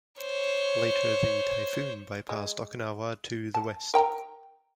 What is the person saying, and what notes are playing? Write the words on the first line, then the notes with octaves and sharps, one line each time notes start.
Later, the typhoon bypassed Okinawa to the west.
C5 C#5
G#3
A5
A#4 G5 A#5